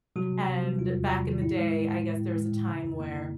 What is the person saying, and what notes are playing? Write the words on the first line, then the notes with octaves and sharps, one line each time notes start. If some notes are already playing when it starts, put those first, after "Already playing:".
and back in the day, I guess there was a time where,
C3 F#3 F#4
C3
C3
G3
E2 F4
E2
C3
D#3
A2 E4
G#3
A2
A2
A2
A2
G#3
A2
C#3
F2
A#3
C#3